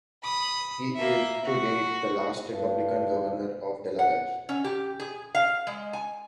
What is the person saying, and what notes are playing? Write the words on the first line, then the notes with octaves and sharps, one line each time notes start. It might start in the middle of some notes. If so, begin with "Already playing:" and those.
He is, to date, the last Republican governor of Delaware.
B5 D#6
A#3 E5
F#4
G2
F#5
C#4
G4
G#4
F5
G#3
G#5